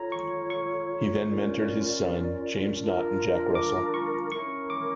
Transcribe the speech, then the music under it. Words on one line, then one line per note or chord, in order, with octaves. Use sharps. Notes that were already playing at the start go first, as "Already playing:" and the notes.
He then mentored his son James Knott and Jack Russell.
Already playing: F4 A4 C#5 A#5
C#6
C#6
C#4 F4 A#4 D5
D4 F4 A#4
D6
C#6
C#4 E4 A#4 C#6
D6